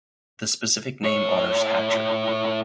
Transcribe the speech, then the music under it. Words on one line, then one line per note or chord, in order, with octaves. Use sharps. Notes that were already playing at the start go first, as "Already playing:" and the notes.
The specific name honors Hatcher.
A2 C#5